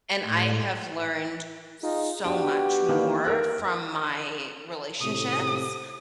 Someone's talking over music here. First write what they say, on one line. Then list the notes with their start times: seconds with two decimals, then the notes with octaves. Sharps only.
and I have learned so much more from my relationships,
0.24 A2
1.83 D#4 F4 G#4
2.24 B3 D4 F#4 G4 D7
2.89 D#3 E3 A#3
3.24 A#4 E6 F#6
5.01 G#1 A2 C3 D#6